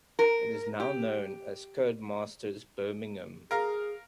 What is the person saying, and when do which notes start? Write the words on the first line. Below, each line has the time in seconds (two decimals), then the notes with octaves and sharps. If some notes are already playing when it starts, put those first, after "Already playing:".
It is now known as Codemasters Birmingham.
0.19 A#4
0.80 G4
3.51 G#4 A#4 F5 A#5